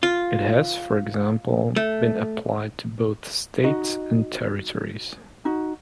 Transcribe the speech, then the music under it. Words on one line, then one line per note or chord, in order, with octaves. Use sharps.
It has, for example, been applied to both states and territories.
F4
A3
D#4 F#4 D#5
D#4 F#4